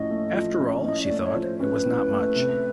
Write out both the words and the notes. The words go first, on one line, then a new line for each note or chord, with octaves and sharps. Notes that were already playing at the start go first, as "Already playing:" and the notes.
After all, she thought, it was not much.
Already playing: A2 F3 C#4 D#5
A3
F3
C#4
A2 D#5
D5
A3
C#5
F3
C5
C#4 B4
A2
A3
C3